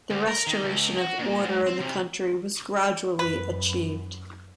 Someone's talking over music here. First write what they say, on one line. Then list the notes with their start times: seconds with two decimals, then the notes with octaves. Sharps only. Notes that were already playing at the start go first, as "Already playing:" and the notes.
The restoration of order in the country was gradually achieved.
0.10 D2
0.28 A#4
0.47 D#3
0.63 C#2
0.98 F#4
1.19 A#2
1.40 G#2
1.67 C4
1.80 C3
3.19 F#2 B4